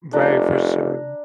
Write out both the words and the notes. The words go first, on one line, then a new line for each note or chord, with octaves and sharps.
Right, for sure.
F1 D4 A#5